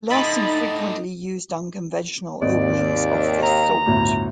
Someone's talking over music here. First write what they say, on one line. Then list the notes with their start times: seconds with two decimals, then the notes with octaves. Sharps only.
Larsen frequently used unconventional openings of this sort.
0.10 A2 D3 D#4 D#5 B5 A6
2.42 G#1 D#2 D5 D#5
3.43 A#5
3.86 G1 D2 A2